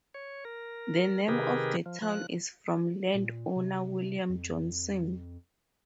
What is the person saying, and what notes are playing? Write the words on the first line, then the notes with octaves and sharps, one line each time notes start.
The name of the town is from landowner William Johnson.
C#5
A#4
C3 D#3 G4 G#4 A#4 B4
F3
F3 F#6
A#2
C3
F2